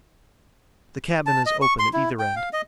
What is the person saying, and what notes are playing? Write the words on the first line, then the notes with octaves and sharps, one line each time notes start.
The cabin is open at either end.
A5
D#5
C#6
C6
E4
G5
F5
D#5